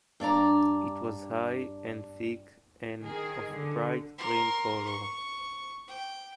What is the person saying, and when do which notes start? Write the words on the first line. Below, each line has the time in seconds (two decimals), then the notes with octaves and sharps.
It was high, and thick, and of a bright green color.
0.20 G2 D4 D5 A#5
3.02 D#3 G#4
3.53 D3
4.18 A#4 C6
4.85 C#6
5.88 G5